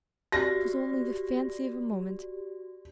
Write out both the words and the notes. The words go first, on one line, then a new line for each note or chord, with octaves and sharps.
'Twas only the fancy of a moment.
F#4 G4 D5 A#6